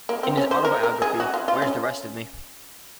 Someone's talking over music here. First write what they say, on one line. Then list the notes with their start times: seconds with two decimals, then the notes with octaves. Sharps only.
In his autobiography, Where's the Rest of Me?
0.09 A#3
0.23 C4
0.37 C#4
0.51 C5
0.65 A#4
0.83 A#4
1.02 G#4
1.20 F#4
1.34 F4
1.48 F4
1.62 C#4